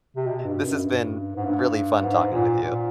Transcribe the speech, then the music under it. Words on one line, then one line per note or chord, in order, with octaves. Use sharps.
this has been really fun talking with you.
C3
B2
G2
F#2
G2
G#2
G2
G#2
A#2
A#2